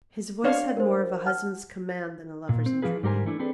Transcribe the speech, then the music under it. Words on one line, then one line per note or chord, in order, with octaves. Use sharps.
His voice had more of a husband's command than a lover's entreaty.
D4 C#5 F5
A#4 C5
F#5 A5 F6
A#2
C4
E3 F3 F4 G#4 B4
G#2 G3 G4 A#4 C5 G#5
E3 A3 D4 E4
C4 D4 G#4 A4 B4 D5